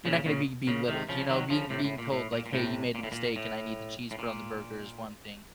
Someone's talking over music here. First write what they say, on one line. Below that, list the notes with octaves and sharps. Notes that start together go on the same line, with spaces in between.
you're not gonna be belittled. You know? Being being told, like, "Hey. You made a mistake, and I need the cheese put on the burger," is one thing.
A#2 C#3
A#2 C#3
A#2 C#3
C3 D#3
C#3 F3
D#3 F#3
C#3 F3
A2 C3
A2
A#2
A2
A#2
A#2
A2 C3
A#2
A2
A#2
A2
A2
A#2